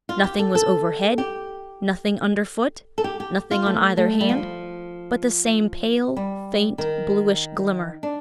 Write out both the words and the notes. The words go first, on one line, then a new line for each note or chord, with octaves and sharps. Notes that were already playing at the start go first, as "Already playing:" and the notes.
Nothing was overhead, nothing under foot, nothing on either hand, but the same pale, faint, bluish glimmer.
F4
G4
A4
A4
G4
A4
G4
G4
F4
A3
A3
G3
F3
G3
D#3
D4